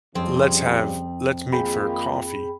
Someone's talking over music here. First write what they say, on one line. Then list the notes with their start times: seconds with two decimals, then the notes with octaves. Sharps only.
"Let's have let's meet for a coffee."
0.15 F2 C#3 F3 G3 C4
1.53 D#3 A#3 F4 G#4 G5 B5